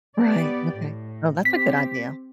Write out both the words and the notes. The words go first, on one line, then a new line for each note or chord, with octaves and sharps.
Right, okay. Well, that's a good idea.
B3 G4 D5
A2
C4 G4 B6